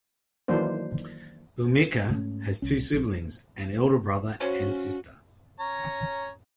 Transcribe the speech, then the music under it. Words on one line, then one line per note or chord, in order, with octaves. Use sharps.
Bhumika has two siblings, an elder brother and sister.
D#3 E3 F#3 A#3 D4 C5
G#2 A3 A#3 C#4
C2 C#4
A#1 C3
C#3 C#4 F#4 C5 C#5
C#4 C#5 A#5